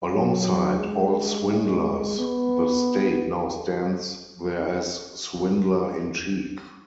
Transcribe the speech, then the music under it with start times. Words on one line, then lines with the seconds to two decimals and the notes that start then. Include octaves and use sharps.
Alongside all swindlers the state now stands there as swindler-in-chief.
0.09 F#3
0.79 G#3
2.18 B3